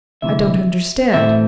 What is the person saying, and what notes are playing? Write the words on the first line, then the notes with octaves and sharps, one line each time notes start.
"I don't understand."
D2 C3 E3 E5
A2 E3 A3 C4 E5